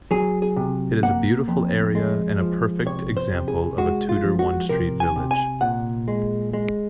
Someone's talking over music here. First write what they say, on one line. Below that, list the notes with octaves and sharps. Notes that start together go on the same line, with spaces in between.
It is a beautiful area and a perfect example of a Tudor one-street village.
F#3 G#4
G#4
C3
A#3 F#5
F2
G#3
F3
C3 C#5
C5
C3
G#4
G#3 F#4
F4
F3
F#4
C3 A#4
G#5
C3
G#5
A#2 F#5
G#3
G#3